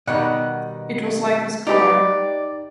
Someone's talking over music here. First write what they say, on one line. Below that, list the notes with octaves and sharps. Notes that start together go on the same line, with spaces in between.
It was like a scar.
B2 D#3 G3 F#5
D#4 G4 B4 D5